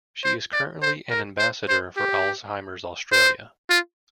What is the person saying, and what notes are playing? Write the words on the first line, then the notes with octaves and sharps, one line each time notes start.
She is currently an ambassador for Alzheimer's Australia.
C5
D5
C5
A#4
C5
C5
G4
C5
F4